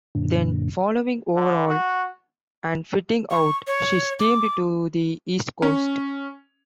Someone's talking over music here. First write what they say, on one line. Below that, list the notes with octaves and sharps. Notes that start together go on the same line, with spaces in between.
Then, following overhaul and fitting out, she steamed to the east coast.
F#2 A#2 D3
D3
F#4
C#6
C#5
D6
C#4